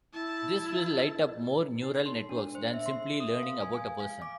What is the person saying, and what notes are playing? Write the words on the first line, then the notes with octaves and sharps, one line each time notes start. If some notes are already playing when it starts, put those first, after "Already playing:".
This will light up more neural networks than simply learning about a person.
E4 A5
D#4
C6
D4
C5
E5
C6
D#6
F5
G#5
G#5
F5
D6